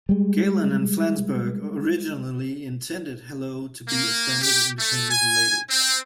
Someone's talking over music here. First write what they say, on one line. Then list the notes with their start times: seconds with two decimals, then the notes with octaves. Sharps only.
Galen and Flansburgh originally intended Hello to be a standard independent label.
0.09 G3 G#3
3.89 A#3
4.42 G4
4.80 A3
5.11 G#5
5.70 C4